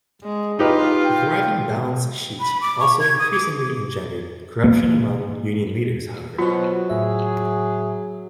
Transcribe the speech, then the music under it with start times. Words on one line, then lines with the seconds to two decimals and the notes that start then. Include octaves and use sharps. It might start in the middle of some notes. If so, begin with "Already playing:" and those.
A thriving balance sheet also increasingly engendered corruption among union leaders, however.
0.24 G#3
0.59 D#4 F4 G4 B4
1.05 G5
2.40 B5
2.61 D6
2.80 C#6
3.00 G#6
3.19 D#6
3.32 D6
4.64 A#3
6.39 B2 F#3 F4 C5 C#7
6.90 A2 G#4 E5